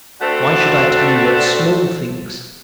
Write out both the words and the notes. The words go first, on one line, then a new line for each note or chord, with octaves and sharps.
Why should I tell you of small things?
A3 C4 D4 F#4 A4